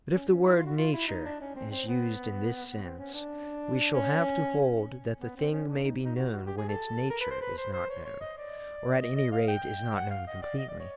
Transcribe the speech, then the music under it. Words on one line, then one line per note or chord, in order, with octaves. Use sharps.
But if the word 'nature' is used in this sense, we shall have to hold that the thing may be known when its 'nature' is not known, or at any rate is not known completely.
C#4
C#4
E4
F4
F#4
F4
E4
D#4
D4
C#4
C4
C4
B3
B3
C4
C#4
D4
C#4
B3
C4
C#4
D4
D#4
D#4
F#4
F#4
G4
G#4
A4
A#4
B4
C5
B4
C5
C5
C#5
C#5
D#5
D5
D#5
D#5
F5
G5
F#5
F5
D#5
D5
D#5
D5
C#5